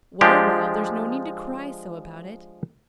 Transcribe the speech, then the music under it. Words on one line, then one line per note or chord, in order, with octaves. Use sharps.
"Well, well, there's no need to cry so about it."
F3 G#3 D4 G4